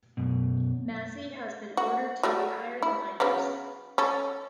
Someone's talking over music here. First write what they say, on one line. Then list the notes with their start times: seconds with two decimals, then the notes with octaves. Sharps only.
Massey has been ordered to rehire the miners.
0.17 F#2 B2
1.77 F#4
2.23 F#3 G3 A3
2.82 E4
3.20 C#3 F#3 B3
3.98 C#4 A4